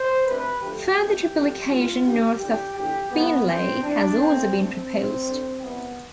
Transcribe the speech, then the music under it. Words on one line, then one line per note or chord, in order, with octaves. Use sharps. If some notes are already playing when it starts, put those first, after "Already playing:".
Further triplication north of Beenleigh has also been proposed.
Already playing: C5
D2 C3 G3 B4
D2 D3 F3 A3 G4
C2 B2 A3
F2 D3 A3
A2 G3 F4
D2 D3 A3 G4
E2 D3 G3 G4
E2 D3 F3 G4
A2 F3 A3 B3
F2 D3 G3 C4
G2 E3 G3 D4
C2 B2 A3 C4
G2 D3 A3 C4
C2 C3 E3 G3
G2 D3 G3
C2 C3 E3 G3 B3